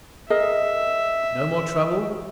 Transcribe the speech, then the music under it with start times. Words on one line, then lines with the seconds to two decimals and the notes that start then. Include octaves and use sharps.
No more trouble?
0.30 G#4 A#4 D#5 E5